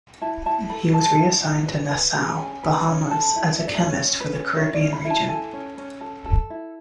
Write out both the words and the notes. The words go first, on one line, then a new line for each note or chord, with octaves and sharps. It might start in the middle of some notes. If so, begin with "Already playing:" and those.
He was reassigned to Nassau, Bahamas as a Chemist for the Caribbean region.
E4 A5
E4 A5
A4 B5
A4 A5
E4
E4
B4
B4
G#4
C#4 G#5
B4
C#4
A4 A5
E4
A4 E5
D5
E5
C#4 C#5
C#4
B4
C#4
E4 C#5
D5
C#4
B5
E4
A5
A4 G#5
C#4
C#4
A4
A4
E4